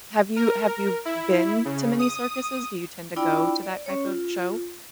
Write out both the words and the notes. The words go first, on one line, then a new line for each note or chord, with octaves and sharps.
Have you have you been to many circuses? Do you tend to go to that type of show?
A#4
E4
C#3
D#6
D4 E4 F4 D5 G5 B5
D5
C#4 C#5
F4